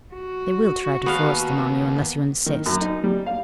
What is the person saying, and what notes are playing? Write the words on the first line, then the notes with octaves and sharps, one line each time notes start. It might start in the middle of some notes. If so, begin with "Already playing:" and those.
They will try to force them on you unless you insist.
F#4
D#2 B3 F5
D#3
F#2
D#4
G3
F5